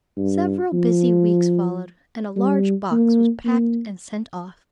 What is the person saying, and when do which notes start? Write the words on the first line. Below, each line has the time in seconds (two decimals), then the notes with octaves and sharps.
Several busy weeks followed, and a large box was packed and sent off.
0.17 G2
0.73 F3
2.36 G3
2.91 A#3
3.45 A#3